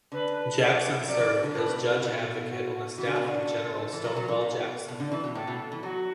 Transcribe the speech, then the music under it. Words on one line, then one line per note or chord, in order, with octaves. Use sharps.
Jackson served as judge advocate on the staff of General Stonewall Jackson.
D3 B4
D5
D5
F#5
E5
F#3 D5
E3
E3
D3
A2 B4
B2 B4
B2 A4
B2 F#4
B2 A4
F#4
E3 F#4
D3
B2
D3
F#4
A4
E3
F#3
F#3
E3
B2
B2
D3
E3
B2
A2 A4
B2
E3
F#3 F#4